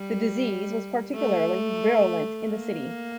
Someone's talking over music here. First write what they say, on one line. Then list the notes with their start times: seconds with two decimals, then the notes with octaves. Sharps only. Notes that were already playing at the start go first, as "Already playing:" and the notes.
The disease was particularly virulent in the city.
Already playing: G3
1.15 A3
2.44 A#3